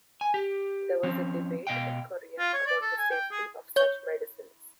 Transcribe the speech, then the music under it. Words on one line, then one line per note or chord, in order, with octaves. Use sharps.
There was a debate in Korea about the safety of such medicines.
G#5
G4
F3 C4 C#4
B2 D#5 F5 G5
F4
C#5
D5
A4
G#5
G5
G#4
C#5 G6